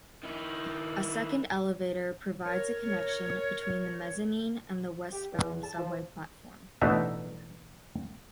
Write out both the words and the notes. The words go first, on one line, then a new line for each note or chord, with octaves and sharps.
A second elevator provides a connection between the mezzanine and the westbound subway platform.
D#3 E4
A#4 C#5
G4
E2
A5
F3
A1 B2 D4 D#4 E5